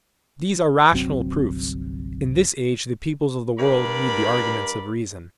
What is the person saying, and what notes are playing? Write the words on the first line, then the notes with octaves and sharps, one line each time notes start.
These are rational proofs; in this age the peoples of the world need the arguments of reason.
G1 C2 F#3 C4
G2 A#4 D5 B5